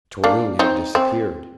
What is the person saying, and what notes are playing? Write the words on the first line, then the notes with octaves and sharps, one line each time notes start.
Toline had disappeared.
A#3 D4
C4 D#4
C4